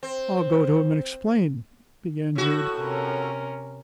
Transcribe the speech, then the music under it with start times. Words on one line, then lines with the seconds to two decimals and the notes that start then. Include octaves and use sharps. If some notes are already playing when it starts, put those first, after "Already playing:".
"I'll go to him and explain--" began Jude.
0.03 C4
2.35 A2 F#4
2.77 C3 C#4 A#4